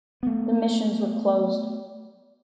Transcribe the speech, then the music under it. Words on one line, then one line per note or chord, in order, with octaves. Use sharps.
The missions were closed.
A3 B3